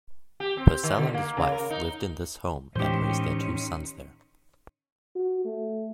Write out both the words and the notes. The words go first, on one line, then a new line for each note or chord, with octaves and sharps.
Purcell and his wife lived in this home and raised their two sons there.
G4
C4
D#3
D3
A#3
C#3
A#4
D#4
A2 D#3 E3 G#3 C#4 G4 C5
F#4
A3